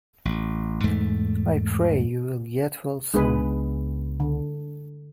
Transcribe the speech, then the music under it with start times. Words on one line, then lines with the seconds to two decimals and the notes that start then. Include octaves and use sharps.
I pray you will get well soon.
0.25 A1
0.84 E2 G#2 A3
3.14 C#2 G#3 B3 D4 G#4 B4
4.20 D3